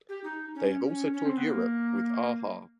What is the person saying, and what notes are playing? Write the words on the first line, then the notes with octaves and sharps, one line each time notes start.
They have also toured Europe with a-ha.
G4
D#4
C#4
C#4
C#4
C4
B3
A#3